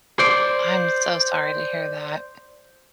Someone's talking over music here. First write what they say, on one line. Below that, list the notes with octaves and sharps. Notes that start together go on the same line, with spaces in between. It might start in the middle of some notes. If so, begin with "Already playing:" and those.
I'm so sorry to hear that.
C5 D5